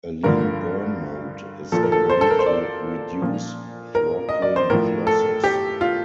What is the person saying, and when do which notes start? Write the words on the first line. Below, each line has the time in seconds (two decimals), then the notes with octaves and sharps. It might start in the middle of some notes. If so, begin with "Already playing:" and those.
A lean burn mode is a way to reduce throttling losses.
0.24 G2 D3 F3 A#4
1.72 A#2 F3 A4
1.83 A#4
1.92 A4
2.10 C5
2.21 A4
2.30 A#4
2.39 C5
2.46 D5
3.22 A#2 F3
3.95 A#4
4.29 D#5
4.42 D5
4.56 C5
4.70 A2 F3 A#4
5.07 A4
5.44 G4
5.81 F4